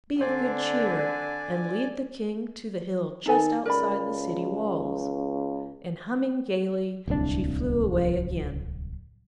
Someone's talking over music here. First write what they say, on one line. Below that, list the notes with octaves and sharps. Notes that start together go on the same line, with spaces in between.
Be of good cheer, and lead the King to the hill just outside the city walls.' And humming gaily she flew away again.
D3 C4 D5 G#5
D#3 D#4 A4 G#5
C#2 A#4 D5 B5
D1 C2 D3 D4